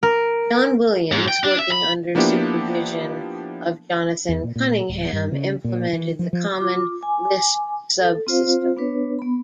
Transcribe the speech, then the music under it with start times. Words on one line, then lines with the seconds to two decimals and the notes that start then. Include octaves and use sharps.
John Williams, working under supervision of Jonathan Cunningham implemented the Common Lisp subsystem.
0.03 A#4
1.12 G#2
1.28 G5
1.44 D4
1.59 E5
1.72 B5
2.15 F3 A#3 B3 D4 E4 G4
4.29 E2
4.44 A#2
4.56 A#2
4.89 D1
5.13 G2
5.32 C#3
5.64 A#2
5.93 E3
6.19 F3
6.33 F3
6.58 F4 D6
7.01 G#5 D6
8.00 A4
8.27 C4 F4 C5 F5
8.77 B3 D4 B4 C#5
9.19 B3 B5